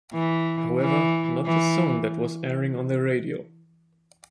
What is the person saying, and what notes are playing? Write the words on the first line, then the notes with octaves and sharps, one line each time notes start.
However, not the song that was airing on their radio.
E3
E3
E3